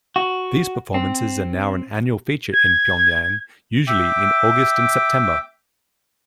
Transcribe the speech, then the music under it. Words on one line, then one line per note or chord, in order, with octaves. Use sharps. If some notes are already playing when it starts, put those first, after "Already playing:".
These performances are now an annual feature in Pyongyang, usually in August and September.
F#4
C4
G#6
E5 G5 D6